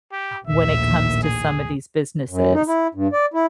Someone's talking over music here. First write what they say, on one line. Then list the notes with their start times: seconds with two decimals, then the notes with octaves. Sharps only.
when it comes to some of these businesses.
0.12 G4
0.47 A#1 D#2 A2 E5
1.23 G#4
2.30 F#2
2.53 D#4
2.68 E4
2.95 G2
3.13 D5
3.34 E4